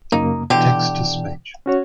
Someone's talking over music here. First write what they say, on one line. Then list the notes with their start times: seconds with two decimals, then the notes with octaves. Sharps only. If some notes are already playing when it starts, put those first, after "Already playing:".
Text to Speech.
0.12 F#2 C#3 A#3 D#4
0.50 B2 D3 E3 G4
1.66 C#4 F#4 C#5